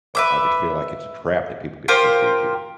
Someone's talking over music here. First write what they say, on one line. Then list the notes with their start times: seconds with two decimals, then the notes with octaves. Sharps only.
I I just feel like it's a trap that people get sucked into.
0.15 B4 E5 D6
1.88 F4 G4 A#4 C5